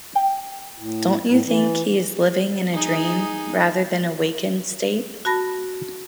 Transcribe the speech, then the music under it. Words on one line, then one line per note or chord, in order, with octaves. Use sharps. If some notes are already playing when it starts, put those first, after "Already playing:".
Don't you think he is living in a dream rather than a wakened state?
G5
A2
A2
E3
D#4 G#4
F#4 A5 B5 A#6